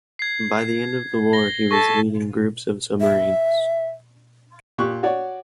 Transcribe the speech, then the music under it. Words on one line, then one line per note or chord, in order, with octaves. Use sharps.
By the end of the war he was leading groups of submarines.
G#6 C7
A#6 G7
A4 A5 C#6 A#6 B6
E5
A#2 G4 C#6 F#6
F#4 C#5 D5